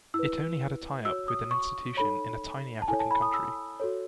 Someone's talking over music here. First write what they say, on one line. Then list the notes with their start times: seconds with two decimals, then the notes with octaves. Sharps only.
It only had a tie-up with an institution in a tiny African country.
0.14 E4 E6
0.19 B4
1.05 F#4 C#5 E6
1.28 D#6
1.51 C#6
1.97 D#4 A4 C#5 B5
2.82 A5
2.88 E4 A4 C#5 G#5
2.99 A5
3.11 B5
3.22 D#6
3.34 E6
3.80 F#4 A4 C#5